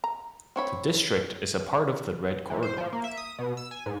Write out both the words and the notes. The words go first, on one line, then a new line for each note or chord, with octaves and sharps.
The District is a part of the Red Corridor.
A#5
C4 C#5 B5
E3
C5
F3
A#3
E5
D#6
B2
E6
G#5
G#2